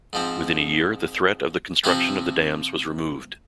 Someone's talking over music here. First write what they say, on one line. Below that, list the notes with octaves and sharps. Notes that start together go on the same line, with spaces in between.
Within a year, the threat of the construction of the dams was removed.
G#2 F3 C4
C3 F3 C4 E4 G4